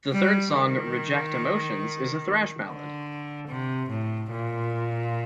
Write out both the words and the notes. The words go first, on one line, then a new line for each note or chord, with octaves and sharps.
The third song "Reject Emotions" is a thrash ballad.
G3
D#3
D3
C3
A2
A#2